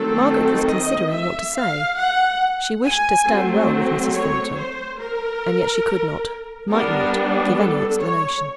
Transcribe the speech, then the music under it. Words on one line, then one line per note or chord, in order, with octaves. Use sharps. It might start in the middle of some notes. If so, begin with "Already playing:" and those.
Margaret was considering what to say; she wished to stand well with Mrs. Thornton; and yet she could not, might not, give any explanation.
Already playing: D#3 F#3 A3 C4 A4
D#5
E5
F5
F#5
G#5
F#3 A3 C4
C#5
C5
A#4
G3 B3 D4 A#4
A4
C#5